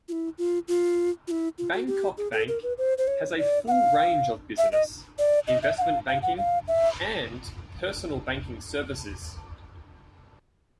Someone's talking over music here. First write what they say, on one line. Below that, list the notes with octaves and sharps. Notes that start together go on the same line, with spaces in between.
Bangkok Bank has a full range of business, investment banking and personal banking services.
F4
E4
F4
F4
F4
E4
F4
F#4
G4
G#4
A4
A#4
B4
C5
C5
C#5
D5
F#5
F5
E5
D#5
D5
D#5
E5
F#5
F5
F5
F#5
F5
E5